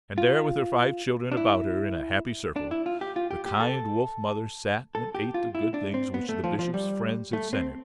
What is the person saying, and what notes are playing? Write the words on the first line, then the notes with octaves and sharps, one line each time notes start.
And there, with her five children about her in a happy circle, the kind wolf-mother sat and ate the good things which the Bishop's friends had sent him.
F4
D4
E4
D4
E4
F4
G4
F4
G4
G4
A4
A4
G4
F4
E4
D4
C4
B3
A3
F3
F3
G3
A3
C4